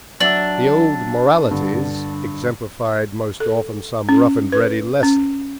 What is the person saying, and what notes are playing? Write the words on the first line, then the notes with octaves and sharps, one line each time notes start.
The old "moralities" exemplified most often some rough-and-ready lesson.
F#3 D4 E5 E6
G2 D3
A4
C#4
B4
C#4